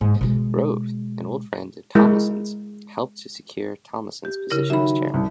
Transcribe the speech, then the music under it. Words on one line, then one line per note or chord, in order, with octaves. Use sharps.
Rove, an old friend of Tomlinson's, helped to secure Tomlinson's position as chairman.
G#2
B2 G#3
G#3 E4 A#4
G4
C#3 E4 A#4
D#3 F#3 E5 B5
C2